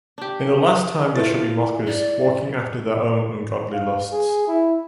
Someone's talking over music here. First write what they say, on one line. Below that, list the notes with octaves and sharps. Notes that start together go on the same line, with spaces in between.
In the last time there shall be mockers, walking after their own ungodly lusts.
D4 G4
A3 E4 F4 A6
D5
F5
G#4
E4